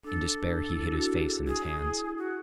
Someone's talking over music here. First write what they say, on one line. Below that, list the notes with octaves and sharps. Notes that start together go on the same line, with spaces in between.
In despair he hid his face in his hands.
D4 A4
E4
D4
F#4
G#4
G#4
E4
F#4